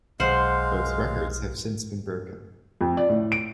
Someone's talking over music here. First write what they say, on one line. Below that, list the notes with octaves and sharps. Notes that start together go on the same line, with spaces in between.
Both records have since been broken.
B1 G#3 C5 F5 F#5
F2
D5
A2
D7